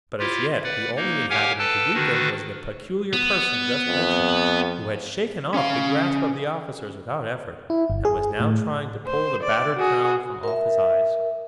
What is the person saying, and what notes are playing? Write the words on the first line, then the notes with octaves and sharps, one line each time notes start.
But as yet the only inhabitant to greet them was the Peculiar Person just mentioned, who had shaken off the grasp of the officers without effort and was now trying to pull the battered crown from off his eyes.
E4 F4 G4
B4 D5 F#5
A#3 D#4
G4 A#4 C#5 F5 F#5 G#5
A4 B4 G5 A5
D3 D#3 D4 F#4 B4
B3
F2
C#4 F5
E4
G1
G#4
A2
C5
D5
F#4 G#4
A#4 E5